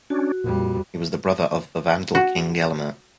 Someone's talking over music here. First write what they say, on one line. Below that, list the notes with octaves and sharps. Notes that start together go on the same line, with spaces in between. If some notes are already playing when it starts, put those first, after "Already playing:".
He was the brother of the Vandal king Gelimer.
C#4 D4 F#4
F2 A#2 G3
F#4